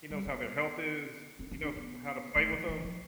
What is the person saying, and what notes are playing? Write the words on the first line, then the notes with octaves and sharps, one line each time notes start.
He knows how their health is. He knows how to play with them.
G3
B3
C4
C4
D4
B3
A3
F3
E3
F3